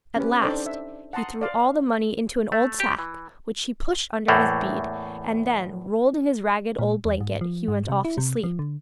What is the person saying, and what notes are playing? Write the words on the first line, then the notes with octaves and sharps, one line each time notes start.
At last he threw all the money into an old sack, which he pushed under his bead, and then, rolled in his ragged old blanket, he went off to sleep.
C#4 G4 B4
D4 D#4 A4 C5 D5 G5
E5
F#5 A5 A#5 C6 D#6
D5 F5 C6
A3
G4
E3
E2 A2 A3 A#3
A#2
E2
G#2
F3
G#2
C3
E4
C3
F3
D3